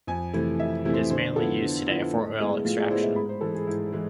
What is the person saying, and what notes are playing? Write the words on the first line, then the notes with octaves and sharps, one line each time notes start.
It is mainly used today for oil extraction.
F2 G#5
C3 E3 A3 E4
F2 E5
C3 E3 A3 E4
C5
D3 C5
F3 B3 E4 A4
D3
F3 B3 E4
A2
G#3 B3 E4
A2 F4
G#4
D5
G#3 B3 E4 C5
E5
G#2 B5
C5
E3 G#3 A4
G#4
G#2 E4
E3 G#3